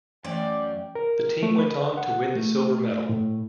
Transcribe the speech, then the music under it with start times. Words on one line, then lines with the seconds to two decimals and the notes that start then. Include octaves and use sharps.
The team went on to win the silver medal.
0.25 F#2 E3 A3 D5 G5 G#5
0.95 A#4
1.43 A3
1.59 B4
1.97 F#5
2.35 A3
3.09 A2